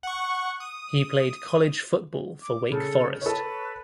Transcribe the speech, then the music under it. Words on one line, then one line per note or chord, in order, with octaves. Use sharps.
He played college football for Wake Forest.
F#5 C#6
D#6
D6
C#3 A4
A4 B4 C#5